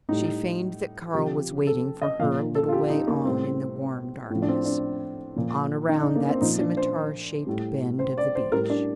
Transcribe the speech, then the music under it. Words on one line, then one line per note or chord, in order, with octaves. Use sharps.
She feigned that Karl was waiting for her a little way on in the warm darkness--on, around that scimitar-shaped bend of the beach.
A2 G3 D#4
C3 F3 G4
A4
D#5
A#2 F3 F5
A4
F4
G4
D#4
A#3
A2 G3 C4
A2
F3
D4
C4
D4
A#2 F3
D#4
D4
A#3
C4
A#2 F3 D#4
D4
C5
A2 G3
C5
D5
C5
A2 G3 A#4
D4